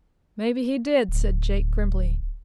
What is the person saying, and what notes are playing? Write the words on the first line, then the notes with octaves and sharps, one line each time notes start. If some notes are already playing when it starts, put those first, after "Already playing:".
"Maybe he did," said Jake grimly.
D1